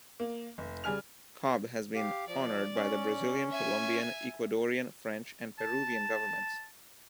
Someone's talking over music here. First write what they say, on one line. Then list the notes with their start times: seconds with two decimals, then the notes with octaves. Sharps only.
Cobb has been honored by the Brazilian, Colombian, Ecuadorian, French, and Peruvian governments.
0.20 A#3
0.58 F1
0.84 C#3 G3 G#5 F6 F7
1.95 G4 F5
2.27 F3 D5
2.75 C#4
3.50 E5 G#5
5.58 A5